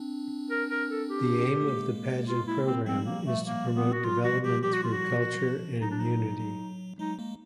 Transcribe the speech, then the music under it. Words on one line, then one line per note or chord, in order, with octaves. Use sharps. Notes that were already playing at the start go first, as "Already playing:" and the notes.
The aim of the pageant program is to promote development through culture and unity.
Already playing: C4 D4
A#4
A#4
A4
G4
A3
G#3 A#3
F4
E4
C4
F3 G3 C4
A#3
A3
A#3
B3
F#4
F#3 F4
F3 G3 F#4
F3 G3 G4
F3 G3 G4
F#4
F4
F#4
F3
F#3
F3
F#3 D#4
D4
F3 D#4
F#3
F#3
F#3 G#3 D#4
G#3 A#3